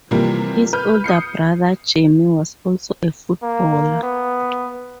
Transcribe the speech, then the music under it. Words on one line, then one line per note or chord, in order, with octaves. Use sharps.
His older brother Jamie was also a footballer.
C3 E3 F3 G3 A#3
B4 F6 G6
D#6 G6 C7 C#7
A#3
B3